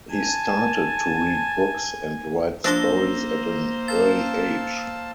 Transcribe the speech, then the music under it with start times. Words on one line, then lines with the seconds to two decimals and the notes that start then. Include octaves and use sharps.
He started to read books and write stories at an early age.
0.11 G#5 A5
2.64 F3 A#3 D4 C5 E6 A#6 G7
3.88 F5 A5 E6 A6